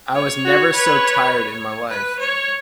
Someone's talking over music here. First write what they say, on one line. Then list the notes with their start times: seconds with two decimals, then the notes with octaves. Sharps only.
I was never so tired in my life.
0.14 C#5
0.45 F#4
0.74 B4
1.89 B4
2.19 C#5